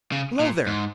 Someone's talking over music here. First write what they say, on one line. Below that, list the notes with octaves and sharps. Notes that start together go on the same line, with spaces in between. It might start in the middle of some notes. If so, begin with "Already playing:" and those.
Below there!
C#3
A#2
G#2